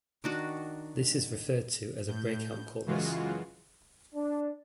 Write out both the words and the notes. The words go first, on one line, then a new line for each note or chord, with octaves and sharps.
This is referred to as a breakout chorus.
D#3 D4 F#4
A2 G6
F#2 C#3 E3 G#3 F4 F#4
D4